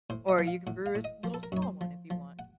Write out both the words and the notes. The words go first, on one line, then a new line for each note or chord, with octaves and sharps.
or you can brew a s little small one, if you want.
A2 C5
D#5
F3
F5
A2 F#5
F5
A2
D#5
F3 C5
A4
A#4
F#2 C#5
C5
F3
F3
F#5